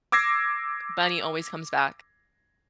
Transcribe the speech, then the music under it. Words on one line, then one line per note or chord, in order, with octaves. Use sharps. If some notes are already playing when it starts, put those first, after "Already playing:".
money always comes back?
D6 E6 G#6 A#6 C7